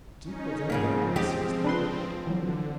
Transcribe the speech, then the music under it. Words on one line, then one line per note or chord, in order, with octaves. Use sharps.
Deep within them I sensed a movement.
C#4 D#4
G#2 C#3 F3 A#3 C4
E2 G#3 G4
D4 B4 C6
D3 E3 F#3